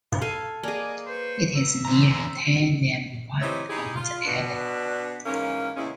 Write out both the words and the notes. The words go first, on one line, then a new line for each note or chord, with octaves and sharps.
It is near Tai Nam Wan on the island.
A4 F5 G#5
A#3 G#4 D5 D#5 G#5
B4 C5 C#6
E5 A#5
E2 D#4 C5 A#5
E3 C4 D#4 G4 C#5 E5
D#4 E4 G4 G#4
F4
B2 D4
G#2 E3 A#3 C#4
E2 A#2 C#3 G#3 C#4 E4